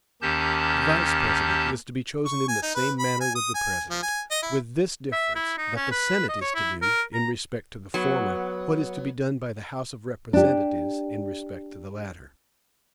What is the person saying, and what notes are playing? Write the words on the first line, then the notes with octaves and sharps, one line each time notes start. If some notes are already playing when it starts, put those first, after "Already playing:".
The Vice-President is to be chosen in the same manner with the President; with this difference, that the Senate is to do, in respect to the former, what is to be done by the House of Representatives, in respect to the latter.
D#2 D#3 C#4 G4 A5 G6
C#6
G#5
D#4
B4
B5
G#5
D#6
G#5
F3
G#5
D#5
E4
E5
E4
D#4
C#4
B4
D#5
C#5
E4
A#4
A#5
F#3 B3
D4 G4